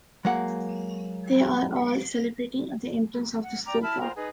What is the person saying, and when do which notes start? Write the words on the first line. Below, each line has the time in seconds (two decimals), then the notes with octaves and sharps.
They are all celebrating at the entrance of the stupa.
0.25 F#3 G#3 A#3 F#5
3.43 F#5
3.66 D5 G5 A#5 D6
3.82 E4 A5 B5 F6
4.01 F4 A#4 C5
4.16 D#4 G#4 B4